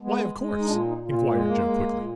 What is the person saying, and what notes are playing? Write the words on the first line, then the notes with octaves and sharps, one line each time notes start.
"Why 'of course'?" inquired Joe quickly.
G#3 B3
G#3
D#4
A#2 D4
D#4
A#2
F4
G#3 A#3
A#3
G#3
A#2